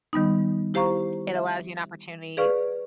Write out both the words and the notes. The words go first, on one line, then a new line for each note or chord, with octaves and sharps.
it allows you an opportunity
D#3 G3 B3 D#4
E4 G4 C5 F5 A#5 C#6
E5
G#4 B4 D5 F5 C#6 F6